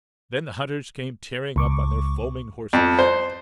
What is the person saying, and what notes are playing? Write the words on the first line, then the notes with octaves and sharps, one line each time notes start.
Then the hunters came tearing up on their foaming horses.
C#2 C#6 D6
F2
C5